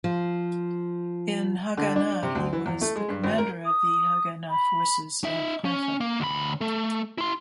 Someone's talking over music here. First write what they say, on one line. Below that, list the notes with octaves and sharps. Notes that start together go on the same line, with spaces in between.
In Haganah he was the commander of the Haganah Forces of Haifa.
F3
D3
D4
D5
C3
D2
E3
E2
A3
G#3
G2
G#1
A#4
D#6
B5
D#4 E5
C#4
A#3
D2 B5
A3
E4 C6